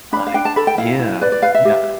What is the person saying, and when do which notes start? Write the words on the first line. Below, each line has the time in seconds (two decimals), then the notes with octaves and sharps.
Like Yeah, yeah.
0.13 D4 B5
0.27 F5
0.34 D4 G5
0.45 A5
0.56 A4 B5
0.67 G5
0.78 E4 F5
0.99 E4
1.21 B4 D5
1.32 D5
1.42 B4 F5
1.55 E5
1.65 G4